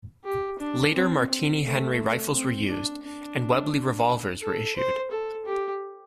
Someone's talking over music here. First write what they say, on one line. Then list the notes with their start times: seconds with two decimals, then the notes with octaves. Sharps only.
Later Martini-Henry rifles were used, and Webley revolvers were issued.
0.25 G4
0.59 D4
0.94 C4
1.29 C4
1.63 A3
2.33 C4
2.68 D4
3.03 D4
4.42 A4
4.76 C5
5.11 A4
5.46 G4